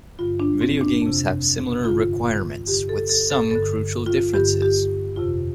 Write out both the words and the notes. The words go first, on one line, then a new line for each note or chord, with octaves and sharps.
Video games have similar requirements, with some crucial differences.
G2 D3 F4
D4
C4
D4
F2 C3
G2 D3 F4
G2 D3 G4
A4
A4
A4
G2 D3 A4
F4
G2 D3 G4
G4
F2 C3 F4